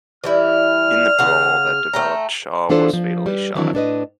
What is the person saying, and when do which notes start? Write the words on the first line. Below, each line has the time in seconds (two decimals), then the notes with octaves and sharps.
In the brawl that developed Shaw was fatally shot.
0.24 E3 G3 E4 F6
1.19 C#3 F5 F#5
1.93 A3 G5 A#5
2.69 E3 B3 D4 F4 A4 C5
2.93 F3
3.26 G3 B4
3.55 D#3 E3 F#3 C4 D4 E4
3.73 A2 D4 B4 D#5